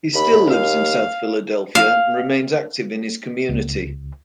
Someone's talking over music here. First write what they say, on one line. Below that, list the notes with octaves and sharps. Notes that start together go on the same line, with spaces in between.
He still lives in South Philadelphia, and remains active in his community.
D#2 B5
F5
F5
C#2